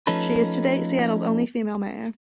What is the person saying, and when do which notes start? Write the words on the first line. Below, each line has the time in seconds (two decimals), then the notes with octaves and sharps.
She is to date Seattle's only female mayor.
0.07 F3 A3 C#4 D#4 A4 B4